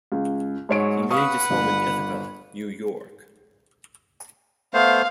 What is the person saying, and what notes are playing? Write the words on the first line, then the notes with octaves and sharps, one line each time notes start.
He made his home in Ithaca, New York.
C#2
G#2 F#3 C#5 D7
B4 F5 F#5 C#6 D#6
G1
A3 B3 C5 F5